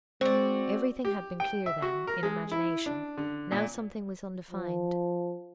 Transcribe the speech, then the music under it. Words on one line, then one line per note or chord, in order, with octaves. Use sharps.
Everything had been clear then, in imagination; now something was undefined.
G#3 C4 F#4 C5 D5
G4
G5
E5
F#4
A#4
G#3
E4
D4
D3
A#2
F3